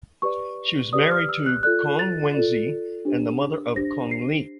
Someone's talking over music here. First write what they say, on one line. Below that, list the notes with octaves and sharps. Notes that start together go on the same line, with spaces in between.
She was married to Kong Wenzi and the mother of Kong Li.
G4 B4 D5 C#6
G4 B4 D5 D#6
F6
E6
F#6
F4 A4 D5 F#6
A6
F4 A4 D5
D4 G4 C5
D4 G4 C5 A#6
C7